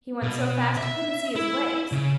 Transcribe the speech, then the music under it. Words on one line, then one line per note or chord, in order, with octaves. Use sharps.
He went so fast you couldn't see his legs.
B2
E5
E4
C#3